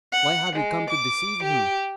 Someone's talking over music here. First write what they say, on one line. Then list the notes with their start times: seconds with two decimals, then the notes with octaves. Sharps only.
Why have you come to deceive him?
0.12 F#5
0.54 G#3
0.89 D6
1.42 G4